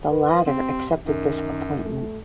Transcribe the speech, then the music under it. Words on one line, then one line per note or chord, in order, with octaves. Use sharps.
The latter accepted this appointment.
B4
C3 C4
F#2 D#3
A3